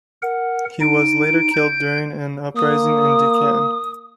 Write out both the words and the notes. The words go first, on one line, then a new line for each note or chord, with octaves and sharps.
He was later killed during an uprising in Deccan.
A#4 F#5
D#4 D7
G6
A#3 D#6